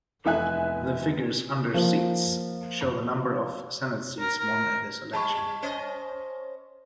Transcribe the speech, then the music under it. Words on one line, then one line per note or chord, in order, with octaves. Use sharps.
The figures under "Seats" show the number of Senate seats won at this election.
F1 E2 E5 G#5 F#6
F3 A#3
A#4
A#4
G3 A5 B5 C#6
C#4 C5 D#5